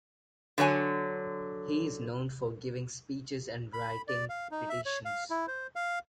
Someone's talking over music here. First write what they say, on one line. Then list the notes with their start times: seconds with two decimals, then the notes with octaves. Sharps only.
He is known for giving speeches and writing petitions.
0.58 D3 F#3 C#5 G#5
3.73 B5
4.08 D5
4.29 F5
4.51 D#4
4.69 E5
4.86 C#5
5.05 F5
5.30 E4
5.48 C5
5.76 F5